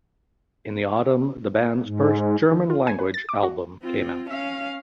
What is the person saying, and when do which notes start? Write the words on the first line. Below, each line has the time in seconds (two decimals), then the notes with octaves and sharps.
In the autumn the band's first German-language album came out.
1.84 G#2
2.52 D#3
2.70 F4
2.87 G#5
2.99 B4
3.14 A6
3.29 D6
3.43 F#4
3.82 C4 F4
4.29 C#4 F5